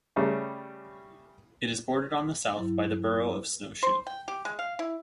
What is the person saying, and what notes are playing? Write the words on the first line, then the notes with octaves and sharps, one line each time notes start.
It is bordered on the south by the borough of Snow Shoe.
C#3 G3 A3 C#4
G2 F#3 E4
C5
G5
G4
G#3
F5
E4